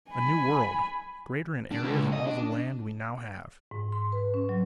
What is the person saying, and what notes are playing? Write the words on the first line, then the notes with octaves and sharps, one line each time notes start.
A new world, greater in area than all the land we now have.
G#5 B5
D4
C#2
D#5
D4
G#2
C6
B4
C#4
F#3